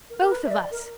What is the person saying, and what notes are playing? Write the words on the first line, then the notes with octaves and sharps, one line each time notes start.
"Both of us!"
A#4
A#4
B4
E5
D5
A#4